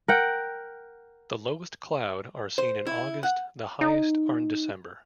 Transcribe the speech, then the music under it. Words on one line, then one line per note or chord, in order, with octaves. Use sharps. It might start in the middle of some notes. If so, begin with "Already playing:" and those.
The lowest cloud are seen in August; the highest are in December.
A#4 F#5 G5
C5
E4
F#5
D#4